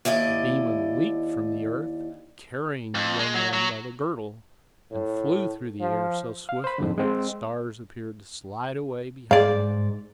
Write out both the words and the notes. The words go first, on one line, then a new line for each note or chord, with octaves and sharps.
The Demon leaped from the earth, carrying the young man by the girdle, and flew through the air so swiftly that the stars appeared to slide away behind them.
D#2 E4 D5 D#5
F2
G#3
F#3
F#3
A2
F3
F5
C5 B5
F2 G#2 D3
G#3 C4
G#2 G#4 D5 F5